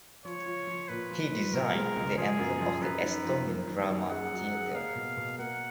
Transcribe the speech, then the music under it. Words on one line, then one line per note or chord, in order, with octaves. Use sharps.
He designed the emblem of the Estonian Drama Theatre.
F3 C#5
F4
F3
A#2 B4
F3
A#2
B2 A#4
G#3
C#2
F3 G#4
F#2
F3
F#2 B4
D#4
F3
A#3
D#3
F#2
G#4 F#5
F#3
G#4
A#3 F5
B2
B2
A#3 F#5